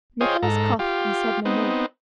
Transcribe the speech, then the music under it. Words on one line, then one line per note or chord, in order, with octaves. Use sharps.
Nicholas coughed and said no more.
F4 G#4 C5 C#5 D#5 G5
G#2 A4 A#5
F4 G4
B3 C4 D#4